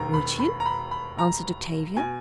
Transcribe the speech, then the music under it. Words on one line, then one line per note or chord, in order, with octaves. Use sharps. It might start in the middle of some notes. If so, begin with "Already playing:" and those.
"Would you?" answered Octavia.
Already playing: E1 D#2 D#3 A#5
B5
B5
A#5
B5
B5
A#5
B2 G#5